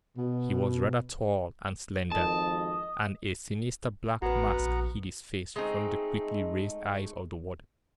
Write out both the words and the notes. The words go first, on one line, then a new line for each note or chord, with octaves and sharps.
He was rather tall and slender, and a sinister black mask hid his face from the quickly raised eyes of the warden.
B2
G#1 F2 D#5 A5
A1 B3 F#4 B4 F#5 A#5
A#1
G#3 A3 C4 D#4